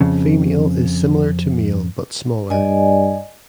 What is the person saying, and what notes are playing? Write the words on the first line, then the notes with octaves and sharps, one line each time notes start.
Female is similar to male but smaller.
F2 C#3
G2 D5 D#5 G#5